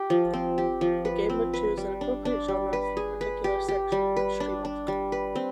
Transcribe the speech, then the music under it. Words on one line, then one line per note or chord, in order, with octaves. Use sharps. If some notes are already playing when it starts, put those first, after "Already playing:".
The game would choose an appropriate genre for a particular section, and stream it.
Already playing: G4
F3
C4
G4
F3
B4
C4
B4
G3
D4
D4
G3
B4
G#4
B4
G4
G4
G3
B4
D4
D4
G3
B4
C4